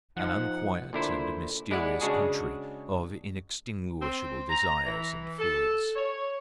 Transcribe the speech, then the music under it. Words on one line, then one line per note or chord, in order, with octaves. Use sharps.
An unquiet and mysterious country of inextinguishable desires and fears.
F3 D#4 F#5
A#2 D3 E4 C5
G#3 E4 D5 F#5
C#3 G#3 D4 F#4 G#4
C4
A#5
E3
A4
C#5